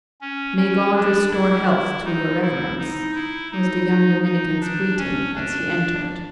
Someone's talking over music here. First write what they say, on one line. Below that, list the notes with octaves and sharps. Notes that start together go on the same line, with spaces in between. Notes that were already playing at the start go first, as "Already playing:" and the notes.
"May God restore health to your Reverence," was the young Dominican's greeting as he entered.
C#4
C#4
D4
E4
E4
D#4
E4
D#4
E4
D#4
D#4
D4
C#4
D4